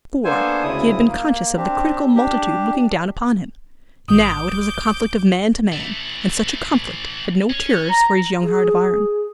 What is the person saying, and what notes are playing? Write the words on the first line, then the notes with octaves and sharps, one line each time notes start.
Before, he had been conscious of the critical multitude looking down upon him; now it was a conflict of man to man, and such a conflict had no terrors for his young heart of iron.
A#3 B3 D4 A4 C5 G#5
D2 C#3 E4 D#6
A#3
C4 D4 G4
D4 G4
G#1 D6 D#6 G6
E3 A3
C#4
A#5
G#4